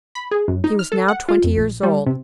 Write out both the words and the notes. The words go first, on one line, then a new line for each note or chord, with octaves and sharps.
He was now twenty years old.
B5
G#4
F#2
D#4
F6
A4
F#5
F4
F2
A#1
G3
C3